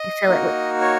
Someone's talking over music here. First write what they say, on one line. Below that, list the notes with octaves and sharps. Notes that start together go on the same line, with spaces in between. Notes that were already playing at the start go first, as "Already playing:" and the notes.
you fill it with
Already playing: D#5
A#3 D#4 F#4
C#5